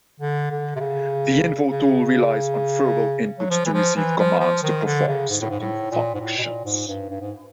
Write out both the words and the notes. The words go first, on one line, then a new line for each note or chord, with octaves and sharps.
The Info Tool relies on verbal inputs to receive commands to perform certain functions.
D3
D3
C3
C#3
C#3
F#3
F3
E3
F3
E3
F3
F3
D#3
D3
C#3
G#2
A2
G#2
A2
A#2
G#2
A2
B2
A#2
G#2
G2
G2
G#2